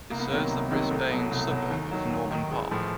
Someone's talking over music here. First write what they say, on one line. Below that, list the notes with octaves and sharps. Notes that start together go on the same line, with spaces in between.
It serves the Brisbane suburb of Norman Park.
C2 A#3
B3
C3 D#3 F#3 A#3
C2
C3 D#3 F#3
C2 A3
B2 F#3
C2
B2 F#3
D#2
D#3 F#3
D#2
D#3 F#3
A1 G#3
A2 F3